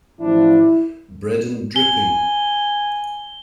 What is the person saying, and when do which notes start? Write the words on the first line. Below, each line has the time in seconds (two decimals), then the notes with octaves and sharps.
Bread and dripping.
0.20 A1 F3 D4 E4
1.76 G#5 G7